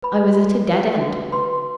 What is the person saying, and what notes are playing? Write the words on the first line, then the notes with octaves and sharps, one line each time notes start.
I was at a dead end.
B4 B5
F#4
B4
F#4
B4 C6